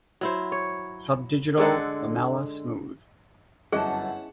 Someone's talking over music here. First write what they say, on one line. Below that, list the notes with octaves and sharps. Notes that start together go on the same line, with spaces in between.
Subdigital lamella smooth.
F#3 E4 C5
C#5
D3 G#3 A4 F#5
G1 F#2 C#4 E4 G#4 D#5 F#5 A5